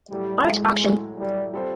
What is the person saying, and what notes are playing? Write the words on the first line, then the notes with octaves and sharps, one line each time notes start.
Art Auction.
A2 F#3 G3 A3
A2 F#3 G#3 A3
A2 F#3 A3
A2 F#3 G3 A3
G3 C4 F4 A4 C5